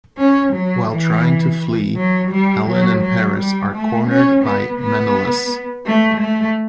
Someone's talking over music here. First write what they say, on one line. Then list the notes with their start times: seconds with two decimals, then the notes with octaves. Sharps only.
While trying to flee, Helen and Paris are cornered by Menelaus.
0.18 C#4
0.53 F#3
0.89 E3
1.96 F#3
2.31 G3
2.66 F#3
3.01 F#3
3.38 G3
3.73 A3
4.08 C#4
4.44 B3
4.79 B3
5.86 A3
6.21 A3